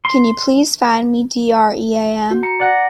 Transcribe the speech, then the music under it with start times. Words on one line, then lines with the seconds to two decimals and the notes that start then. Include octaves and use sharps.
Can you please find me D.R.E.A.M.?
0.05 C6
2.30 F#4
2.43 A#5 C#7
2.59 D5 F#5 A#6